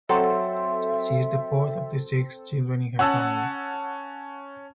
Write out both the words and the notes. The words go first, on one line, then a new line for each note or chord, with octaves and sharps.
She is the fourth of the six children in her family.
F#3 C4 A4 E5
C#4 F#5 A5 E6